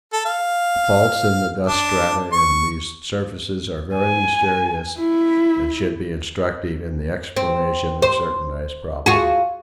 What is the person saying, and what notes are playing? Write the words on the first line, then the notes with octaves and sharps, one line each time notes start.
The faults in the dust strata in these surfaces are very mysterious and should be instructive in the explanation of certain ice problems.
A4
F5
D4
C#6
G#5
E4
C4
C5
F4 F#4 G#4